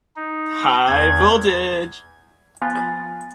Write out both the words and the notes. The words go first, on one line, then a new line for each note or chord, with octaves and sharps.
High voltage!
D#4
E2 G#6
F3 B3 F4 G#5 F#6 A6